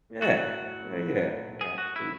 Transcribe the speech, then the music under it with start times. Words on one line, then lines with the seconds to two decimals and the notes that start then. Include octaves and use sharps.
Yeah. Yeah, yeah. Yeah. Absolute
0.22 A2 F#3 F#4
1.61 G#4
1.78 F#4
1.96 E4